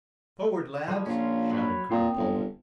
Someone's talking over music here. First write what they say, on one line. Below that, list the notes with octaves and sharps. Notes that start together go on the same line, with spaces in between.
"Forward, lads!" shouted Colonel Talbot.
F3 G3 G#3
A#1 C#4 F4
F#3 C#5 B5
A#2 C4 D#6
G1